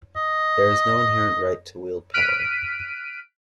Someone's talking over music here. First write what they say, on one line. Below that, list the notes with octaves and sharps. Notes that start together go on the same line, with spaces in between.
There is no inherent right to wield power.
D#5
F6 F#6 B6 D7 D#7